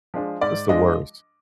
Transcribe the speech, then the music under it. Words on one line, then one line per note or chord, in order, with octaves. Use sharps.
It's the worst.
F3 G#3 D4
G#2 D5
F3 G#3 D4 D#5